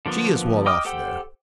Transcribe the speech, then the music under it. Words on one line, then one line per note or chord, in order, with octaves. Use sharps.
She is well off there.
D3 F3 A#3 B3
D#5 G5 D6 D#6 F6
G4 A4 C5 F#5 G5